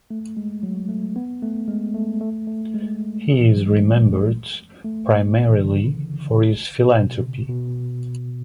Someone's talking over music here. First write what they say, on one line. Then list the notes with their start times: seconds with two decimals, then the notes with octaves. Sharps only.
He is remembered primarily for his philanthropy.
0.10 A3
0.37 G#3
0.63 F#3
0.89 A3
1.16 B3
1.42 A3
1.68 G#3
1.94 A3
2.21 A3
2.47 A3
2.74 G#3
3.40 E3
3.53 F#3
3.66 G#3
3.79 A3
4.85 A3
5.49 E3
5.57 D3
5.64 C#3
6.96 B2
7.21 C#3
7.49 B2